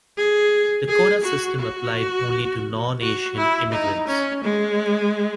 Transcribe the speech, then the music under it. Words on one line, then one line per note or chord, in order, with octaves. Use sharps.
The quota system applied only to non-Asian immigrants.
G#4
G#4
F#4
F#4
F#4
E4
D#4
C#4
G#3